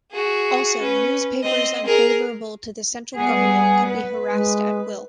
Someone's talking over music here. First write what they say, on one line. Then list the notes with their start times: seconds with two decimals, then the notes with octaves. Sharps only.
Also, newspapers unfavorable to the central government could be harassed at will.
0.11 F#4 G#4
0.80 C#4 B4
1.42 C4 D#5
1.86 G#4 A#4
3.16 G3 B3 G#4 F#5
3.88 B4
4.33 G#3